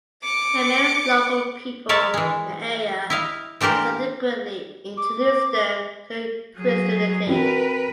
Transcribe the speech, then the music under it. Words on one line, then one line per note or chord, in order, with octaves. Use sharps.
They married local people in the area and subsequently introduced them to Christianity.
D6 C#7
A#4 C#5 E5 A5
E3 G#3
E4 D#5 F5
E3 D4 G4 A#4 C5
D6
F#3 G#4
E3 C4 F#4 A#4 B4